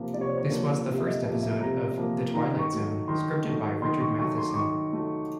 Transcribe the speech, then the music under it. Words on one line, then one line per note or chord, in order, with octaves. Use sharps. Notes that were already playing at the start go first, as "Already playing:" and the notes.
This was the first episode of "The Twilight Zone" scripted by Richard Matheson.
Already playing: C3 F3 A#3
C3 D5
C#5
C5
C#5
F3 A#3
C3
E5
D#5
F3 A#3 E5
E5
C3 A#5
F3 A#3
D#3 A#5
C#6
F#3 A3
D#3 C6
F#3 A3
D#3 C6
C#6
F#3 A3 C#6
C6
D6
D#3 C#6
F#3 A3